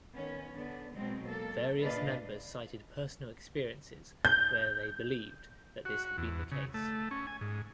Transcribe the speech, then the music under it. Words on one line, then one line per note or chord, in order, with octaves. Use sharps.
Various members cited personal experiences where they believed that this had been the case.
D#3 B3 C#4
D3 B3 D4
B2 F#3 G#3 C4
A#3 A4
A#2 C#3 D4 B4 D#5 F5
G6
F#4
E2
C#3
A3
C#4
G#5
G#2